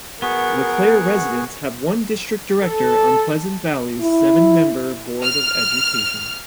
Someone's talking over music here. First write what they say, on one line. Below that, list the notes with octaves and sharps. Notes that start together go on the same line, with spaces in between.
LeClaire residents have one district director on Pleasant Valley's seven-member board of education.
B3 F#4 G#4 A#4 C#6
A4
E4
F6